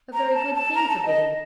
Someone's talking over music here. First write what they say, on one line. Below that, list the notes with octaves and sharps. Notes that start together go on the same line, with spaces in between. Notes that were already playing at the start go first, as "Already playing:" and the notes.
A very good thing for Biddy.'
A#5
A5
A5
A#5
A5
D#5